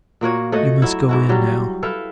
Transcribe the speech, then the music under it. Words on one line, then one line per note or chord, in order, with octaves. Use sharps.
"You must go in now!"
A#2 A#3 F#4 C#5
A3 F#4 C#5 D#5
F#3 E4
G#2 E4 F#4
F#3 G3 F#4 G4
E4 A4 B4 F5